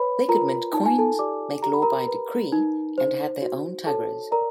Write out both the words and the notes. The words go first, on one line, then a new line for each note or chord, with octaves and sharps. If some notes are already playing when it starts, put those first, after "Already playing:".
They could mint coins, make law by decree, and had their own tughras.
Already playing: B4 C#5 B5
F4 A#4 A#5
D#4 A5
G#5
A4 A5
G4 D5 D6
G4 A#5
B5
A#4 A#5
B4
D#4
C5
F#4
A4 C#5 A5
A#4 D5 A#5